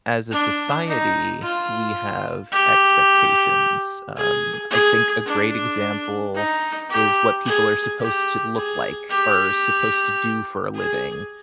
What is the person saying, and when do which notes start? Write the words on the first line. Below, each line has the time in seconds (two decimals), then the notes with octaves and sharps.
as a society, we have expectations. Um, I think a great example is what people are supposed to look like or supposed to do for a living.
0.31 D4
0.87 D#4
1.42 F4
2.52 G4
4.16 G#4
4.71 G#4
5.26 D4
6.35 D#4
6.90 G4
7.45 G#4
8.00 G4
8.55 G#4
9.10 G4
10.74 G#4